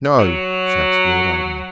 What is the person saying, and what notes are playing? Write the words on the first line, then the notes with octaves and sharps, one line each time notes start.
"No," shouted Lord Arden.
F#3